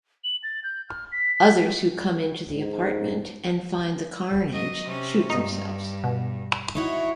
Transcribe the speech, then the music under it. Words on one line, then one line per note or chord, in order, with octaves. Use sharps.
Others who come into the apartment and find the carnage shoot themselves.
F#7
A6
G6
F6
B6
B6
G#2
F#3 D#5
C3 C#4
G2 D#4
B2
D#4 E4 F#4 C#5